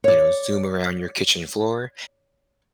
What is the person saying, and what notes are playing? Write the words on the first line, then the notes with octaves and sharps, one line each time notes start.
you know, zoom around your kitchen floor.
C#5 D5